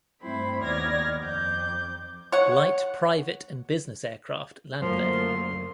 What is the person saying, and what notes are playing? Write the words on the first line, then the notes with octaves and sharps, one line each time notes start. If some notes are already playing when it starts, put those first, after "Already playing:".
Light private and business aircraft land there.
G2 A3 C4 E4 C5 B5
D#2 B3 D5 F6 G#6 A#6
F2 D6 G6
C#5 F#5
F#2 D3 F3 A3 A#3 C6